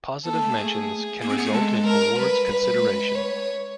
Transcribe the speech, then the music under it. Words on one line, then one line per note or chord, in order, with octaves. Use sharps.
Positive mentions can result in awards consideration.
B3 A4
A#3
A3
A#3
A3 G#4
A#3 G#4
C4
B3
A3
G#3 A4
A#4
G3 B4
B4
A3
G#3
C#5